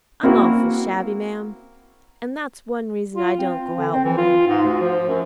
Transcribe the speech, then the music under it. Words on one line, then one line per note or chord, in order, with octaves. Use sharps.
I'm awful shabby, ma'am, and that's one reason I don't go out more.
A#3 C4 E4 F#4
F4
C4
D3
C4
E3
F4
G#2
D2
F3
F#2